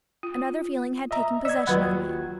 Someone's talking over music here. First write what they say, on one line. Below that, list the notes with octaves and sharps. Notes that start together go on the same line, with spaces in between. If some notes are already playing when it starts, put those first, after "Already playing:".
Another feeling had taken possession of me.
F4
D#5 E5 A#5
D5 D#5 E6 G#6
D#2 F#3 F4 B4 F#5 B5 G#6